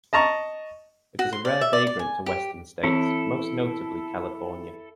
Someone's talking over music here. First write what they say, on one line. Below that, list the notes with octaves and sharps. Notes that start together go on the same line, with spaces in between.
It is a rare vagrant to western states, most notably California.
D#5 A5 A#5 C#6
F#4
C6
D5
E5
D5
D5
G#5
G4
E3 C4 E4 A4